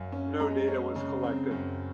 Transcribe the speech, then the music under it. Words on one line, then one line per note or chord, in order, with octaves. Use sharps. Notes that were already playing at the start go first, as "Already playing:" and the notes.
No data was collected.
Already playing: F#2 C#4 F5
C#4
G#3 A#5
C#4
C#3
C4
F#2